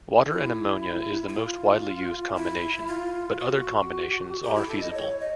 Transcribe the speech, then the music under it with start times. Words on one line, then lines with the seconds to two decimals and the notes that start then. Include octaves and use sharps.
Water and ammonia is the most widely used combination, but other combinations are feasible.
0.22 D#4
0.29 E4
1.28 E4
1.33 F4
2.36 E4
2.87 F4
3.39 F#4
4.42 G4
4.55 E4
4.68 A4
4.80 D#5
4.93 C#5
5.19 D#5